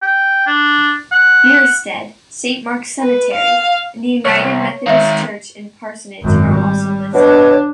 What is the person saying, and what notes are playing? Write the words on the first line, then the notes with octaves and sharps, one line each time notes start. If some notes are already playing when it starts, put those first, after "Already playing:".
Merestead, Saint Mark's Cemetery, and the United Methodist Church and Parsonage are also listed.
G5
D4
F#5
B4
F5
C2 C#5
D#3 G#3 E5 F5
G#1 F#2
G3
B2 D4 C#5